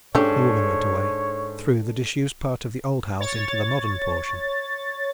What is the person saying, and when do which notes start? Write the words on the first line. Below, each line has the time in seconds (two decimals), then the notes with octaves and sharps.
The woman went away--through the disused part of the old house into the modern portion.
0.15 G#2 A3 C#4 D4 G4 A4 C#5
3.20 C#5 A6